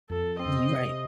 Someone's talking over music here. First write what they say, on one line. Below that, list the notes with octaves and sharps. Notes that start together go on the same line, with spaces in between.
You right.
F2 A4
C4 D#5
C3